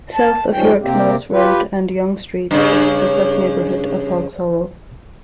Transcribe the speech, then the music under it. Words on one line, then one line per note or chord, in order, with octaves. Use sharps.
South of York Mills Road and Yonge Street sits the sub-neighbourhood of Hoggs Hollow.
A5
G#2 D#3 F3 G3 C#4 G5
C3 A#3 C4 G4
F4 G4 B4
G2 C#3